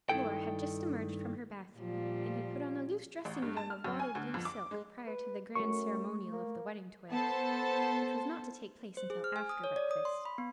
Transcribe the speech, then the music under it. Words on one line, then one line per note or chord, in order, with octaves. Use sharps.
Laura had just emerged from her bath room, and had put on a loose dressing-gown of wadded blue silk, prior to the grand ceremonial of the wedding toilet, which was not to take place until after breakfast.
G2 D#3 G#3 E4 A4 G5
A#2 F3 G3
A1
G2
A5
F6
F#2
G#5
D2
F2
D6
G#3
B4
F#2 A3 C#6
A#3
B3 A4 C5 A5
C5
G#4
F6
G#5
D#6
C#5
D5
D#6
C6
B5
B3